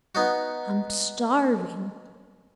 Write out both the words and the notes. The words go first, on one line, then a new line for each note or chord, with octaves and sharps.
"I'm starving!"
B3 D#4 F#4